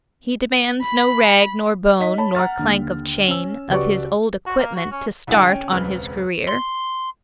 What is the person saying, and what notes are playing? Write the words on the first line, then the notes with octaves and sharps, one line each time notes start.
He demands no rag nor bone nor clank of chain of his old equipment to start on his career.
B5
D#4 D#5 B6
C#5 A5 B5
F#5 A#5 F6 A6
D#2 D3
C#4 E6
C#2 F#4 G4 B4 D5 C#6
F#4
A#3
F#4
C#4
C2 D3 E4 G#4 F#5
C#4 G5
E1 C#2 E3 C4 B4 F6
C6